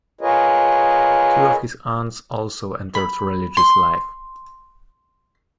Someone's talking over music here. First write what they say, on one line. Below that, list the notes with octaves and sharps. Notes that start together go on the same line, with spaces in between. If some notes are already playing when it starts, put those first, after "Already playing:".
Two of his aunts also entered religious life.
F4 G#4 A#4 B4 C#5 D#5
B5
C6